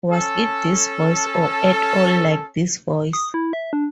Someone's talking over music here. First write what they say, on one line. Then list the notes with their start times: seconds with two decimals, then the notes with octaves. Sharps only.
Was it this voice, or at all like this voice?
0.10 C#4 A4
3.13 D#6
3.34 E4
3.53 E5
3.73 D4